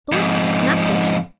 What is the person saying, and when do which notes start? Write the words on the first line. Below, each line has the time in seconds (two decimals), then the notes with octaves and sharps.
Don't be snappish.
0.12 F2 G#2